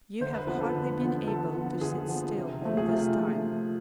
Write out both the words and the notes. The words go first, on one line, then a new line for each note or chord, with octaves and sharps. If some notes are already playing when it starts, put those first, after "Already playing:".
You have hardly been able to sit still all this time....
D3 C5
B4
F3 B3 B4
A4
D3
F3 B3
D3 A4
F3 B3
D3 G#4
F3 B3
C3
F3 A3
G#4
C3 F4
F3 A3